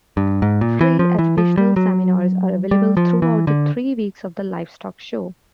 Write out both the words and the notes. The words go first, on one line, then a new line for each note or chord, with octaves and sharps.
Free educational seminars are available throughout the three weeks of the livestock show.
G2
G#2
A#2
E3
F3
E3
F3
G3
F#3
G3
F3
E3
D3